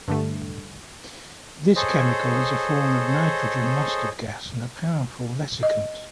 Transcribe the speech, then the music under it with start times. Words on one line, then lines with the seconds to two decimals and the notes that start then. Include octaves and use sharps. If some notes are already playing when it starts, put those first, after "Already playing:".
This chemical is a form of nitrogen mustard gas and a powerful vesicant.
0.08 G2 D3 A3
1.75 G#4 A4 C5 C#5 D#5
5.63 D#5